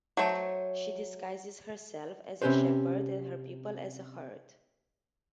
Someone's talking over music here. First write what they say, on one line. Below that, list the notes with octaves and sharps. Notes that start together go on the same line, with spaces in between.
She disguises herself as a shepherd and her people as a herd.
F#3 A3 C5
C3 C#4 G4 B4 C5